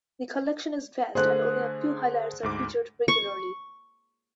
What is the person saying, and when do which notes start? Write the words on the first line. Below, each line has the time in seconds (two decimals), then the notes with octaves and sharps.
The collection is vast and only a few highlights are featured regularly.
1.15 D3 A3 G#4 C5 F#6
2.43 D2 G#2 D6
3.08 C#6